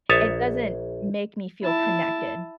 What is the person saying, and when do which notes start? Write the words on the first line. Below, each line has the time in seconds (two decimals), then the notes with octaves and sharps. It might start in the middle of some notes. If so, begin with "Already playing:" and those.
it doesn't make me feel connected
0.09 A#1 C#5 E5 D#6 A6
1.62 E4 A5